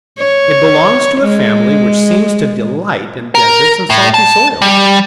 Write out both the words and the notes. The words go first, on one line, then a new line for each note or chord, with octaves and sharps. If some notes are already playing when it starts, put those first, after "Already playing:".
It belongs to a family which seems to delight in deserts and salty soil!
C#5
G#3
A#4
A2
A5
G3